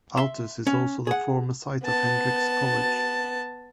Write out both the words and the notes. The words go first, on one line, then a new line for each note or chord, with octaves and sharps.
Altus is also the former site of Hendrix College.
E5 C6
C#4
G#4 F#5
B3 A5